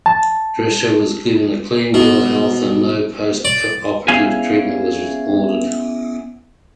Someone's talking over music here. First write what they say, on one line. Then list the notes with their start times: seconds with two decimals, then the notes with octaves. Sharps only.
Drescher was given a clean bill of health and no post-operative treatment was ordered.
0.06 A5
1.94 B2
3.45 D5
4.08 B3 C#4 E4 G#4 F5 G#5